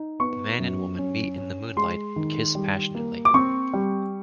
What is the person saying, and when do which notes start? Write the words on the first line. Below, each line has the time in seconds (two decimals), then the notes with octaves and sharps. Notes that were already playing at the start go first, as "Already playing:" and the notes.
The man and woman meet in the moonlight and kiss passionately.
Already playing: D#4
0.19 B3 C#6
0.59 F#2
0.98 C#4
1.37 C#4
1.77 G#3 C6
2.16 D#3
2.55 G3
2.95 A#3
3.25 D6
3.34 C4 C#6
3.73 G3